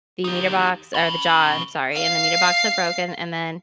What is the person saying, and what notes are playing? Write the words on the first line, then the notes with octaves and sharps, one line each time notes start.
the meter box or the jaw, I'm sorry, and the meter box had broken, and then
D#4 G4
C#4 B5
F5 C7